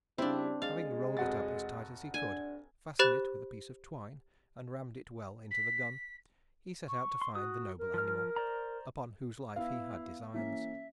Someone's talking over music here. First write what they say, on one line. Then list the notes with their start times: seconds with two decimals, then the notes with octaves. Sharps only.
Having rolled it up as tight as he could, fastened it with a piece of twine, and rammed it well into the gun, he set out to find the noble animal upon whose life he had designs.
0.18 C#3 G3 C4 D4 E4
0.62 G#3 F5 A6
1.17 F1 F#4 A6
2.14 D4 G#5
2.99 G4 C5 B5 F#6 A6
5.51 B6
6.88 C#6
7.22 C6
7.35 F#4 D#6
7.79 A#4
7.94 F3 F6
8.36 C5 D5 A#5
9.56 B3 E4 F5
10.34 E3 A#3 C#4 E5